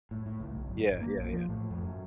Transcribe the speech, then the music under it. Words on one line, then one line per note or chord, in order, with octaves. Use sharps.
Yeah, yeah, yeah.
A2
A2
C#2
B1
G1
G#1
A#3
A#1
F3
A2
F2
F#2